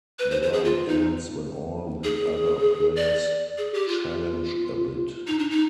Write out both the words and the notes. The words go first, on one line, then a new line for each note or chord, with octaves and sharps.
The round ends when all the other players challenge a bid.
B4
C5
C5
G#4
F4
D#4
G#4
D5
G#4
G4
F4
D#4
D4
D#4